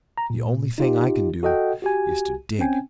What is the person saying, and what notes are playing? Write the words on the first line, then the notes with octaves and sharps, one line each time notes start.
The only thing I can do is to dig.'
A#5
A#2
D#4 F4 G4
F#4 A4 D#5 F#5 G5
F#4 G4 G#5
C4 C#4 G5 G#5